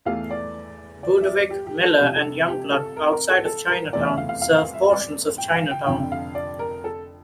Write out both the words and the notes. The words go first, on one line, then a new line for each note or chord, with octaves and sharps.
Budewig, Miller, and Youngblood, outside of Chinatown, serve portions of Chinatown.
E2 E3 A3 F5
D5
D5
E5
D5
G4
G4
A4
F1 F2 C3 G4
A4
G4
A4
A#4
A#4
A4
A4
A#4
F1 E2 E3 A3 C4 D5
E5
F5
F5
F5
F5
E5
D5
G5
F5
G5
F1 F2 D3 G5
F5
D5
A#4
A4